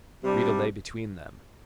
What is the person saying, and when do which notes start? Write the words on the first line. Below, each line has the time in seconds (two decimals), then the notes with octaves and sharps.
Rita lay between them.
0.23 C3 G3 D4